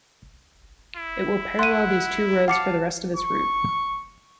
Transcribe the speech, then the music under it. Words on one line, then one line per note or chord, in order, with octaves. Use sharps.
It will parallel these two roads for the rest of its route.
E4
F#5 C6 D#7
F5 F#5 A5 D6 C#7
C#6